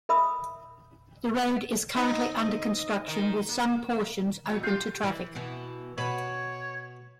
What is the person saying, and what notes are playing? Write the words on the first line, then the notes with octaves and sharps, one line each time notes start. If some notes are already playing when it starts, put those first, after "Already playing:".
The road is currently under construction, with some portions open to traffic.
A#4 E5 B5 D#6 E6
C4 D#4 D#5
D#3
A#3
A#2
F4 G4 G6 C7
E3
B2 E3 B3
B2 B4 C#5